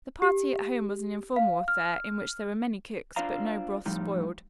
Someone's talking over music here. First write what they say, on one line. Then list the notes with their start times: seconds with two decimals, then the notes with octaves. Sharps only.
The party at home was an informal affair in which there were many cooks, but no broth spoiled.
0.22 G4
1.36 F5
1.68 F6
3.16 D4 F4 C5 D5 F5 A#5
3.86 A2 F3 G3 D#4 G4